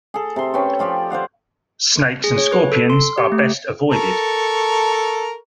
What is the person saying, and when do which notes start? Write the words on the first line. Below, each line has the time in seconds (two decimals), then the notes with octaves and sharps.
Snakes and scorpions are best avoided.
0.14 G#4 A4
0.36 C3 C6
0.54 C#4 B4 G5 C#6
0.79 F3 F4 G4 D5
1.10 C5 D5 F5 F#5
2.24 G#4
2.38 C#5
2.52 B4
2.72 A4
2.90 C6
3.18 G4
3.32 A3
3.90 A4 A#4 C#6